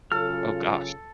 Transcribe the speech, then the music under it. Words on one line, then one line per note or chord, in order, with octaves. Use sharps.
Oh, gosh.
C#3 F#3 F4 A4 F6